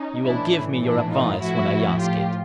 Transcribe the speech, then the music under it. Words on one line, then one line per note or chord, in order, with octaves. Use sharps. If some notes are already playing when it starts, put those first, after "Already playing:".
You will give me your advice when I ask it.
Already playing: C#4 D#4
A2 E3 D4 E4
D4 E4
D#4 F4
A2 F3 E4 F#4
F4 G4